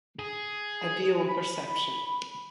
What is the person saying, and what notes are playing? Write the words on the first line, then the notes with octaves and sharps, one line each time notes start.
A view on perception.
G#4
B5